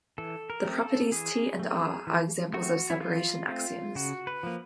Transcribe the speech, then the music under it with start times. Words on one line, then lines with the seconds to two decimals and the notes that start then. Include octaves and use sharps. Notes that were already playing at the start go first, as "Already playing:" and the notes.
The properties T and R are examples of separation axioms.
0.18 E3 A4
0.50 A#4
0.64 A3 C4
0.81 A4
1.11 E3 G#4
1.59 A3 C4
2.07 E3
2.54 A3 C4 F#4
2.90 E4
3.01 E3 F4
3.48 A3 C4 F4
3.95 C#3 F#4
4.27 B4
4.43 F3 A#3